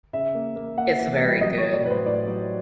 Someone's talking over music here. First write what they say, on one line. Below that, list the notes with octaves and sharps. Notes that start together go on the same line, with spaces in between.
It's very good.
C#3 E5
A#3
A#3
A#3 F#5
E3
G3
F#3 D#5
C#5
F#3
D5
A2 B4
C5
A2 D5
F#3